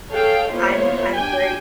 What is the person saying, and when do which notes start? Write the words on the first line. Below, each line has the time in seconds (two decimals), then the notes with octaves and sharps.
I'm I'm very
0.10 G#4 A4 C#5 F5 G5
0.51 A#3 B3 E4 F4 C5 C#5
1.16 D4 G4 G5 G#5